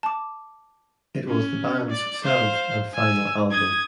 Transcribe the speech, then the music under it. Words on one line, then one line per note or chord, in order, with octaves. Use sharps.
It was the band's seventh and final album.
A5 D6
C#4
D5
C5 F5
G#5 E6
D#6 G#6